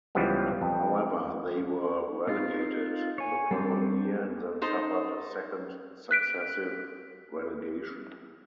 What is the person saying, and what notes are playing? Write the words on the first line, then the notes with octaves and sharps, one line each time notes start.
However, they were relegated the following year and then suffered a second successive relegation.
C#2 C#3 E3 F3 G3 B3
F2
C4 D#4 F4
C#5 G#5
G3 C4 D4 G4 A4
D#4 C5 D#5 A5
F#6 B6 D7